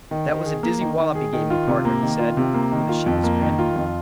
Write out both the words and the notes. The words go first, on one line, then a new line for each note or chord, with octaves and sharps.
"That was a dizzy wallop ye give me, pardner," he said, with a sheepish grin.
D#3
D#3
G#4
A#3
D#3
D#3
G#4
D#3
F4
C3
A#3
D#3
F4
C3
A#3
D#3
F4
F2
A#3
D#3
F4
F2